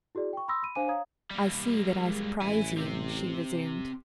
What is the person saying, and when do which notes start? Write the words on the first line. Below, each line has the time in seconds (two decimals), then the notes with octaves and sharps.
"I see that I surprise you," she resumed.
0.15 E4 F#4 G#4 D5
0.33 G5 C#6
0.48 B5 C6 D#6 E6 A#6
0.63 B5 D#7
0.75 D4 C5 F5 G#5 D6 D#7
0.88 C#5 F5 A#5 D#6 G#6
1.31 G3 A#3
2.06 G#3
2.41 A1 E5 G#5
2.78 C4 G4